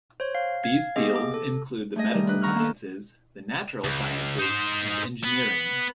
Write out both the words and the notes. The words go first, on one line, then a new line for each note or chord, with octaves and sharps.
These fields include the medical sciences, the natural sciences, and engineering.
C5 C#5
F5
F5 G#6
A#3 B3 G4 G#4 D#5
D6
A4
A3 G#4 D#5
D#3 G3
D4 B4
D#3 B3 A#5 C#6 F6 F#6
A#3 A4
C#2
D#4 C5
B3